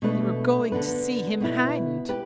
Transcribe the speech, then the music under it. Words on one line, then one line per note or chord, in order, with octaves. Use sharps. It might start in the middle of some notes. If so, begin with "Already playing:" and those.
They were going to see him hanged.
B2 A3 D4 B4
D3 B3 D4 B4
B2 B3 E4 B4
G4 B4